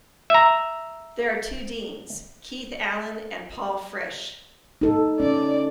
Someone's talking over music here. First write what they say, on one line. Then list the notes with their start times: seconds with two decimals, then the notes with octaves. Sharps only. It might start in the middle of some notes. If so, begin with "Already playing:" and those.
There are two deans, Keith Alleyne and Paul Frisch.
0.30 E5 A#5
4.81 D#4 A4
5.20 C#4 D5